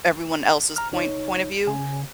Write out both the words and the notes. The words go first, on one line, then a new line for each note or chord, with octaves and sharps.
everyone else's point point of view,
A#5 F6
C#2 D#4 C#5
C#3 G#5